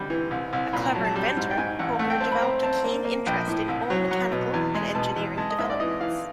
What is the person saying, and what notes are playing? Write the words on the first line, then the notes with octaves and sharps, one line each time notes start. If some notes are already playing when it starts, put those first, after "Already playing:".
A clever inventor, Hawker developed a keen interest in all mechanical and engineering developments.
Already playing: D2 G3 B5
E3
C2
C2
A#2 B5
A#5
F#3 A5
A5
G3 A5
G#2
G5
G#2 G#5
A1 F#5
A3 F#5
G5
C4 A5
B5
C4 A#5
C4 A5
A#3
A#3
A#1 G5
A2
C2
F#3
F#3 F#5
B2
E2
G#3
B2 A5
E2
G#3 A5
D#5
G#2 E5
D5
E3 D#5
E3 F5